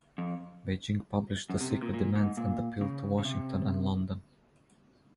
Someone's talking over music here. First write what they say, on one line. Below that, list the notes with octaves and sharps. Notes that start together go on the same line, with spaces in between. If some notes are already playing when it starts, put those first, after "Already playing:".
Beijing published the secret demands and appealed to Washington and London.
F2
F#2
C3
C3
A#2
A#2
G#2
A#2
C#3
C#3
C3